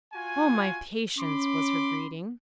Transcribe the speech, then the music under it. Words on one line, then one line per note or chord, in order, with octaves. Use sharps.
"O, my patience!" was her greeting.
F4 F#4 G#5
C#4 B5 C6 D6